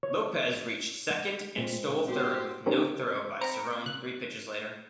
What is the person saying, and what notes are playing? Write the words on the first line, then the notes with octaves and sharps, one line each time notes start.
Lopes reached second and stole third with no throw by Cerone three pitches later.
C#5
A#2 G#3 C4
B3 F#4 G4 C5
D#3 G3 A#3 C4 C#4 D#4
C4 A#5 B5 C#7 D7
C#3 F#6